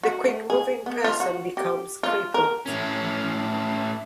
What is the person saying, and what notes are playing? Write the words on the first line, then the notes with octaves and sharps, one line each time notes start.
The quick moving person becomes crippled.
F#4
A3
G#4
B3
F4
F#4
G4
F4
A#4
A2 C#4